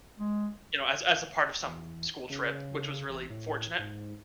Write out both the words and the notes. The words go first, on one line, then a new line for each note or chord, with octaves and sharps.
you know, as as a part of some school trip, which was really fortunate,
G#3
E2
C#3
A1
A2
G#2